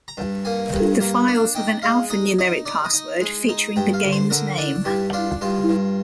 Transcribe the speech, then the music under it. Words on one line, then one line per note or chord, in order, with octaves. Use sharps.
The files with an alpha numeric password featuring the game's name.
A#5
G2
A#3 G#5
G2
A#3
D4
D#4 G5
G#3 F5
D#4 D#5
D#4 D#5
D#4 D5
D#5
D#4
G#3
D#4
G2 G5
F5
D3
C5
D3 A#4
D4
G2 G4
D4 F4
G2 F4
G2